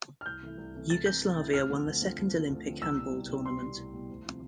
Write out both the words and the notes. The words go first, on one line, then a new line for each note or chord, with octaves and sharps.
Yugoslavia won the second Olympic handball tournament.
F6
C2 G6
C3 E3 A3 E4
C2
C3 E3 A3 E4
C2 A6
C3 E3 A3 E4 G6
C2
C3 E3 A3 E4
D2 F6
D3 F3 C4
D2
D3 F3 C4
D2
D3 F3 C4
D2
D3 F3 C4
C2 E6
B2 G3
C2
B2 G3
C2 C6
B2 G3
C2
B2 G3
D2
C3 F3